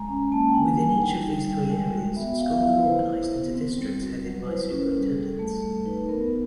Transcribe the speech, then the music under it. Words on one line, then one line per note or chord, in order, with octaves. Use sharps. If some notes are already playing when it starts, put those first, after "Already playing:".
Within each of these three areas, schools are organized into districts headed by superintendents.
Already playing: G#3 A#5
C#4
A#3 A5
G5
D4 G#5
G3 G#5
D#4 G5
G3
G3
G#3
F#4
B3 E5
B3 F5
E5
E4 F5
B4
E4 C5
E4
B3
C4
G3
F#4
F#3
B4
E4 C5
B4
C#4
A#4
G3 A4
G#4
G3
A4
A3
A3
D#4 B4
B3 A#4